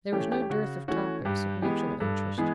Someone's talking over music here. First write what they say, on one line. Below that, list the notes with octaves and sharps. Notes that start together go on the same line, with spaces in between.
There was no dearth of topics of mutual interest.
E3 A3 C#4 G4
G4
G4
C#3 F#4
E3 A3 C#4 F#4
G2 G4
E3 G#3 B3 G4
G2 A4
E3 G#3 B3 G#4